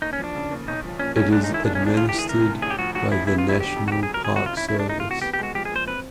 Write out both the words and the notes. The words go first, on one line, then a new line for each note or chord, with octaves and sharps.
It is administered by the National Park Service.
D#2 D#4
C#4
F3 D4
C#3
D#2
B1 D#4
F3
A#2 C#4
B1 C#4
G#3 D4
D#4
D#3
E4
C3 D4
C#4
C2 D4
D2 F4
G4
E3
G#4
C3 A#4
D2
A1 G#4
G4
F3 F#4
G#2 F#4
A1 E4
B3 E4
F4
F#3
E4
D3 G4
F2
F#4
F2 G4
G#4
F#3
A#4
C#3 G#4
F#4
F2 F4
C#4 E4
E4
A3
D4
E3 D#4
F4
C3 F#4
B3 G4
G4
G#3 F#4
F3 G4
G#4
A#2 C5
C4 B4